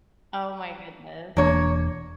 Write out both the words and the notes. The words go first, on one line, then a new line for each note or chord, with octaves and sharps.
Oh my goodness.
E1 E3 A#3 D4 C#5